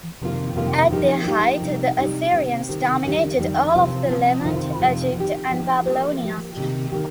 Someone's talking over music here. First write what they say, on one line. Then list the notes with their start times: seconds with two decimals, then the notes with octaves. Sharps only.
At their height, the Assyrians dominated all of the Levant, Egypt, and Babylonia.
0.22 F2 C3 D#3 A#3 F4
0.56 F2 C3 D#3 A#3 F4
0.91 F3 A#3 D#4 G4
1.27 F3 A#3 D#4 G4
1.62 C3 G3 D#4 G4
1.98 C3 G3 D#4 G4
2.33 C3 D#3 C4 G4
2.69 C3 D#3 C4 G4
3.04 F2 D#3 G3 D#4 G4
3.39 F2 D#3 G3 D#4 G4
3.75 C3 F3 C4 F4
4.09 C3 F3 C4 F4
4.45 F2 C3 D#3 C4 F4
4.80 F2 C3 D#3 C4 F4
5.16 F3 D#4 G4
5.52 F3 D#4 G4
5.87 F3 A#3 G4
6.23 F3 A#3 G4
6.57 C3 D#3 A#3 D#4 G4
6.92 D#3 A#3 D#4 G4